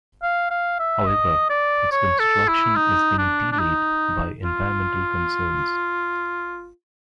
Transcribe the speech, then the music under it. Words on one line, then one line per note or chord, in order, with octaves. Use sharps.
However, its construction is being delayed by environmental concerns.
F5
F5
E5
D#5
D5
C#5
A4
E4
D#4
D4
D4
D#4
F4